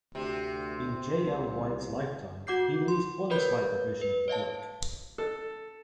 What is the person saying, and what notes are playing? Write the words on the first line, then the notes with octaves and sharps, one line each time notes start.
In J. L. White's lifetime, he released one slight revision of the book.
D2 C3
C2
F#4 F#5 D6 G6 C7
C6
A#4 B4 C#5 D#5 B5 G6
B4
C#5 D#5 F5 A5
A4